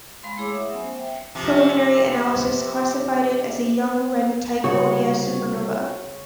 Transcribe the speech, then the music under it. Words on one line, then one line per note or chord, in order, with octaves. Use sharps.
Preliminary analysis classified it as "a young, reddened type onea supernova".
G#3 F5 G#5 B5 C6
A3 E4 G#4 C#5 D6 E6
F#4 E5 F#5 D#6
F#3 A3 B3 C#4 G#5
C5
E5 G5
C3 F3
C2 C#3 F#4 C#5